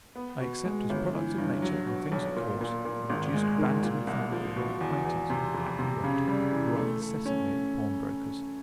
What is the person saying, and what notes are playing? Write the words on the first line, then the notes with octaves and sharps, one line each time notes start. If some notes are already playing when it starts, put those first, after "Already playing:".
I accept as products of Nature and things of course, a reduced Bantam family of my acquaintance in the Hackney-road, who are incessantly at the pawnbroker's.
B3
B2
G#3
G1
E3
G2
F#3
B2
B1
A#2
A#2
A#2
G#1
G#3
D#3
A#2
C2
F3
B2
E2
E2
C3
F2
C3
C#3
G3
E3
A3
A3
C#4